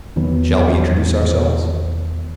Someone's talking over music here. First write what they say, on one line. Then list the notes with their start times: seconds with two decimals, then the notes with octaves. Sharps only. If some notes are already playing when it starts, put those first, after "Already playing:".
Shall we introduce ourselves?
0.16 E2 D#3 F#3 B3